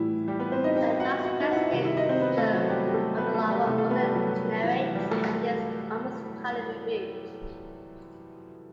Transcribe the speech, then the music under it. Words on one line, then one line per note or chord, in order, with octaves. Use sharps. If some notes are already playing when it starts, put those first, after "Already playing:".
The digestive system of the larva also degenerates, and is almost entirely rebuilt.
Already playing: A2 E3 G3 E4
G3 G4
B3 B4
C4 C5
D#4 D#5
G4 G5
F#4 F#5
F#4 F#5
D#4 D#5
F#5
E4 E5
C3 D#3 G3 F#4 F#5
E4 E5
D#4 D#5
C4 C5
B3 B4
A3 A4
F#3 F#4
G3 G4
G4
A3 A4
B3 B4
A3 A4
G3 G4
C3 E3 G3 A3 A4
A3 A4
B3 B4
G3 G4
F#3 F#4
E3 E4
G3 G4
A3 A4